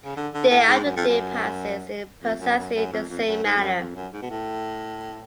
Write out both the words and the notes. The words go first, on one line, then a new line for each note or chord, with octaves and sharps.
Day after day passes in precisely the same manner.
C#3
D3
D3
A2
G#2
F#2
F2
F#2
F2
F#2
F#2
F#2
F2
F2
F#2
G#2
F2
F#2
F2
F#2
G#2
B2
A2